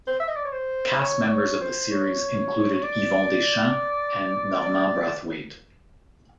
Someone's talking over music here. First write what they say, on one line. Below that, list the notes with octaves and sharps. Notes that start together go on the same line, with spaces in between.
Cast members of the series included Yvon Deschamps and Normand Brathwaite.
C5
E5
D#5
D5
C#5
C5
C#5
D5
C#5
C5
C#5
C#5
D5
D5